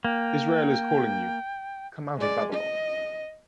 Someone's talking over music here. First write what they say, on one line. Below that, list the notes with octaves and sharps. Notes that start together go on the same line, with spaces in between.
Israel is calling you - come out of Babylon!
A#3 G5
G#3 D5
D#5